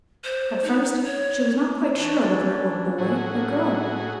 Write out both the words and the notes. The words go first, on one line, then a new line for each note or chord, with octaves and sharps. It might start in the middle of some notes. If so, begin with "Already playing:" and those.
At first she was not quite sure whether it were boy or girl.
C5
D#4
C#5
E3 C#4 D4
A2 F#4 G#4